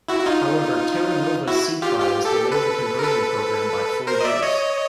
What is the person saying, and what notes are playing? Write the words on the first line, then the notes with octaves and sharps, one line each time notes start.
However "Terra Nova"s sea trials delayed the conversion program by four years.
E4 F#4
F#4
D#4 F4
E4 F#4
F4 G4
F4 G4
G4 A4
A4 B4
A#4
A4 B4
A#4 C5
D#5
D5 E5
C#5 D#5